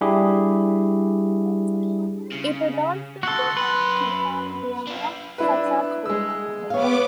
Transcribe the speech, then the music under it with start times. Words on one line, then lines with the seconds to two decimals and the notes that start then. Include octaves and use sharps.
It would also go on to become their most successful.
0.01 G3 D4 E4 G4 G#4
2.32 C#3
3.23 D2 F#4 A4 C6
3.57 F#2 B4 C6
4.87 D4 F4
5.38 D4 E4 B4
6.06 G#3 E6
6.70 B3 C#5 F5 D6